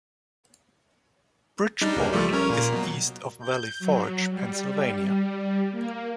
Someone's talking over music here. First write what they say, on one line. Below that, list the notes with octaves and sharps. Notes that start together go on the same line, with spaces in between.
Bridgeport is east of Valley Forge, Pennsylvania.
G3 D4 D#4
C#2 G3 A#3
F3 G3 A3
C#4 A#4 C#5
A#2 A#4
B2 F#3
G6
F#3
G3
G3
A#3